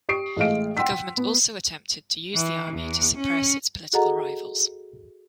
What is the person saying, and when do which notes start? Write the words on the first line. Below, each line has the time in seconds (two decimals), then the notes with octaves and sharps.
The government also attempted to use the army to suppress its political rivals.
0.09 G4 C#6 D#6 C7 D7
0.36 A1 G#3 A3 D#5 F5 D7
0.77 F#5 G5 C6 E6 B6
1.17 B3
2.34 E3
2.74 E2
3.17 C#4
3.93 F#4 G#4 A4 D#5 F#5 A#5